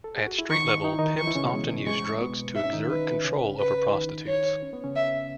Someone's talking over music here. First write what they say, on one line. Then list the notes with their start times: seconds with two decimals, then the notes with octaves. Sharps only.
At street level, pimps often use drugs to exert control over prostitutes.
0.04 A4
0.16 G#4
0.27 F#4
0.39 E4
0.50 D#3 D#4 C#6
0.84 D#4
0.92 E4
0.99 D#3 D#4
1.18 C#6
1.27 E3 E4
1.35 C#3 C#4
1.45 B2 B3
1.53 G#3
1.87 G#3 C#6
2.21 B2 B3
2.56 D#4 E5
2.65 C#4
2.73 D#3 D#4
2.90 B4
3.25 C#3 C#4
3.59 B4
3.89 E4
3.94 D#3 D#4
4.27 C#5
4.63 C#4
4.73 B3
4.84 C#3 C#4
4.96 E5